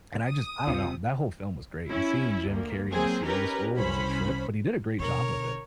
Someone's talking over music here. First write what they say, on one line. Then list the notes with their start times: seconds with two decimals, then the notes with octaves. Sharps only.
And I just I don't know, that whole film was great and seeing Jim Carrey in a serious role was a trip, but he did a great job with it.
0.24 D#6
0.67 D2 C3 F4
1.90 C#4 E4
2.47 D2 A#3
2.89 F#3 A#3 C4 G#4
3.24 C#4 D#4 G4 A#4 B4
3.76 C2 C#4 C5 B5
4.99 B2 D3 A#4 C#5